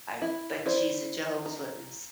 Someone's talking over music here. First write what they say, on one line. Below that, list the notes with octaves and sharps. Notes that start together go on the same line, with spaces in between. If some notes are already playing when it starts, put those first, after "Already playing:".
"I bet she's a Jehovah's Witness."
E4
E4 C5 D5
A#5